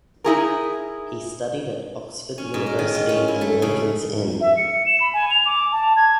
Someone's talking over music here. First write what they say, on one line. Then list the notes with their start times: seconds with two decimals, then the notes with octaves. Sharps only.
He studied at Oxford University and Lincoln's Inn.
0.24 D#4 E4 G#4 A#4
2.38 C#4
2.54 G#2
2.66 A#4
2.79 D#3
2.95 F4
3.09 C#4
3.28 E4
3.41 A3
3.62 C#3
4.41 E5
4.57 C#7
4.86 E7
5.01 B5
5.14 G#5
5.31 F7
5.46 D6
5.72 A5
5.97 G#6